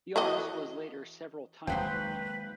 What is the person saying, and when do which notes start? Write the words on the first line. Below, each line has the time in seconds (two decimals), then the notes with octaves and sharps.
The office was later several times renamed.
0.16 E3 F#4 D#5
1.67 D#3 F3 F#3 G#3 A#3 B4 C5 G5